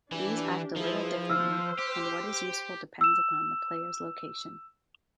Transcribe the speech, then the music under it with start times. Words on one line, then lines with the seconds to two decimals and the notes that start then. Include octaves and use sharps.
These act a little differently, and what is useful depends upon the player's location.
0.12 E3 D4 G4
0.77 F3 E4 G#4 B4
1.30 C5 E6 F6
1.79 G4
3.01 E6 E7